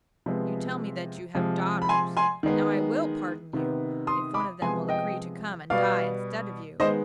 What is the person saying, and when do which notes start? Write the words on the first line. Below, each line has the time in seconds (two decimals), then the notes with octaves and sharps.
You tell me that you have daughters; now I will pardon you, if one of them will agree to come and die instead of you.
0.26 C3 F3 G#3 B3
1.35 C3 F3 G#3
1.82 B5
1.89 G#5 C6
2.17 G#5 C6
2.43 D#3 G#3 B3
3.53 C3 D#3 B3
4.07 C6 D#6
4.34 B5 D6
4.61 C3 F3 G#3 B3 G#5 C6
4.89 D#5 G5
5.70 B2 G3 B3 D5 F5
6.80 D#3 G#3 B3 C5 D#5